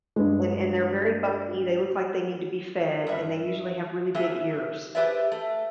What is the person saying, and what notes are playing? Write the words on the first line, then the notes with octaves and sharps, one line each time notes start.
and and they're very bumpy, they look like they need to be fed and they usually have really big ears.
G2 G#3
G2 G3 E5
F#3 A#3 G#4 E5
G4 G#4 B4 C5 D5 E5
A3